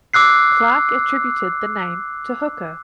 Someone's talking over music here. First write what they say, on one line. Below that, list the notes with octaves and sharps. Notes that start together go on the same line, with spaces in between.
Clarke attributed the name to Hooker.
D6 E6 F#6 C7